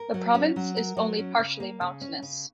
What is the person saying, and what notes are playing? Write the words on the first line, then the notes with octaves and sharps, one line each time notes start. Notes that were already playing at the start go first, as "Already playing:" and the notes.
The province is only partially mountainous.
Already playing: A#4
F#3
C#4
F#3
A#4
F#3
C#4
C#3
A#3
C#3
C#4
C#3